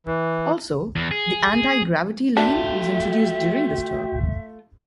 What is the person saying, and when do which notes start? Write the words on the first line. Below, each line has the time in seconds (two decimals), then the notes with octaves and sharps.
Also, the anti-gravity lean was introduced during this tour.
0.07 E3
0.96 E2
1.11 G#4
2.37 A3 D4 F4 F#4 E5 G5